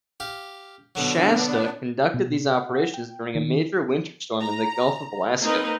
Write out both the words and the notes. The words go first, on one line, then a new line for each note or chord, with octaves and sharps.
"Shasta" conducted these operations during a major winter storm in the Gulf of Alaska.
G4 F5
B2 D3 F#3 B3 D4
B2
F#5
G5
D#3
A#5
A#3 C4 D#4 A#4 B4 D#5